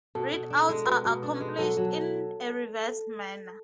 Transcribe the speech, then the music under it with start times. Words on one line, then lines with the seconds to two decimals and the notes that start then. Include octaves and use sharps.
Read-outs are accomplished in a reverse manner.
0.15 B2 A4
0.32 B2
0.50 D4
0.69 G#3
0.86 B2 B4
1.05 B2
1.23 D4
1.40 G#3
1.59 F#3 A4
1.77 F#3